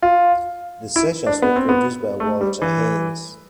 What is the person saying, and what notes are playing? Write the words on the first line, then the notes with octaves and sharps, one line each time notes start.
The sessions were produced by Walter Haynes.
F4
E4
D4
B3
C4
B3
A3
G3
E3